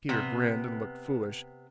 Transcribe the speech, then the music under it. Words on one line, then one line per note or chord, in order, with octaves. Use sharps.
Peter grinned and looked foolish.
C3 B3